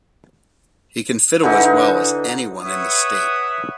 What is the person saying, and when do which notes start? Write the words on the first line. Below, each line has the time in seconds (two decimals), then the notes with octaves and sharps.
He can fiddle as well as anyone in the State.
1.43 D3 E3 D#4
2.63 B4 C#5 E5 F#5 D#6